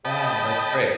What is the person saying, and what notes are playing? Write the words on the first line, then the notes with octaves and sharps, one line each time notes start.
Wow, that's great.
D#5 G5 A5 B5